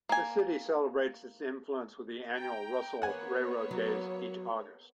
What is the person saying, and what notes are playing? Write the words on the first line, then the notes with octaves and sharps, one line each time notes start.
The city celebrates this influence with the annual "Russell Railroad Days" each August.
A#3 G#5
G5 A#5
A#3 B3 C#5 F#5 G#5
F#3